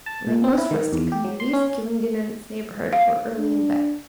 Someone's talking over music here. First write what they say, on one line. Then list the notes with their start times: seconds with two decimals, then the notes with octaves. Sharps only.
Like most rustic communities, Gylingden and its neighbourhood were early in bed.
0.06 A5
0.27 A#2
0.44 C4
0.58 E4
0.71 D#3
0.92 E2
1.12 G4
1.24 F#3
1.40 C6
1.53 C#4
2.93 F5
3.37 D4